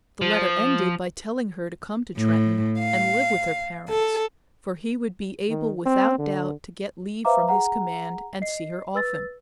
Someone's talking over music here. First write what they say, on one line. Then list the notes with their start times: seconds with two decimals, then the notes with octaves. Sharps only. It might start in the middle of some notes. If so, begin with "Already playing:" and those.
The letter ended by telling her to come to Trenton and live with her parents, for he would be able without doubt to get leave from his command and see her often.
0.22 F3
2.17 A2
2.79 F5
3.89 A4
5.50 D#3
5.86 C4
6.19 D3
7.25 B4 C5 E5 F5 A#5 D6
7.48 G#4 F#5 A#5
8.42 D#5 C7
8.95 B4 E6 A6